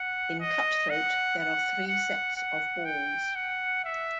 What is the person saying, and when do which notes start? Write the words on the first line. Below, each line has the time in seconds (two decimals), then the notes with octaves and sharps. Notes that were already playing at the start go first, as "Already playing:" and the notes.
In cutthroat, there are three sets of balls.
Already playing: F#5
0.40 D#5
0.90 F#5
1.39 F#5
1.87 F#5
2.36 F#5
2.85 G5
3.35 F#5
3.84 E5